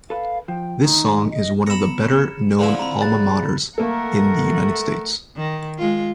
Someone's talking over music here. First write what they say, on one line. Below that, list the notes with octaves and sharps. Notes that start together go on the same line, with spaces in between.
This song is one of the better known alma maters in the United States.
A4 B4 F5
F3 G5
A2 D#3 D#4
D#5
B3 A#5 B5 C#7 E7
D3 F3 E4 B4
C4 A#5 B5
G#4 F#6 A6
A3 A#3 A4 A#4 F#5
D#3
G#3 F4